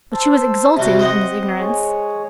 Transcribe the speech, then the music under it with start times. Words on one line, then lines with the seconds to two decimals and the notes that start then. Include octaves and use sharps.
But she was exulting in his ignorance.
0.13 C5 A5 E6
0.77 C3 G3 F#4
0.99 C4 C5 D#5 F#5
1.59 G#3 G#4 C#5